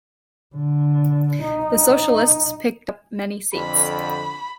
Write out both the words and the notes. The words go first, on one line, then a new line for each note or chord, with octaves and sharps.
The Socialists picked up many seats.
D3
D#4
F2 D3 B5